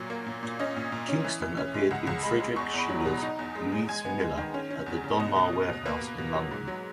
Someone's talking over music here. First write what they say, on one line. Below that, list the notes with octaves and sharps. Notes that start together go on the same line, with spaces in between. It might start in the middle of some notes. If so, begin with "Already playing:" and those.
Kingston appeared in Friedrich Schiller's "Luise Miller" at the Donmar Warehouse in London.
Already playing: A#2 F#3 C#5
A#3
A#2
A#2
C#4 D#5
A#2
A#2
C#4
E3
E3
C#4
G#3
C#2 F#5
C#2
G#3 B5
G#3
E2 C#6
E2 B5
F#3
A#5
B2
D#4
E2
G#3
G#3
G#3 G#5
B3
G#3
D#3
C#4
C#4
E2
C#3
B2 D#5
B2
B2
B2
A#3 B4
B2
B2
F#3
G#2
F#3